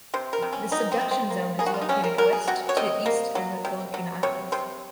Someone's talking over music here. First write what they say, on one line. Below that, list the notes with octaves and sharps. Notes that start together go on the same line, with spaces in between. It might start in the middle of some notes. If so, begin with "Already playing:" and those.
The subduction zone is located west to east of the Philippine Islands.
C3 C5
A#4
C3
C#4
F#3 D#4
C4
C3
C4
A#3
A#3 G#4
F#4
F4
D#4
C3 C#4
A#4
F#3 A#4
G#4
C3 F#4
C#5
C3 D#5
A#3
F#3
C3
F#3
C3 C#5
C3 C5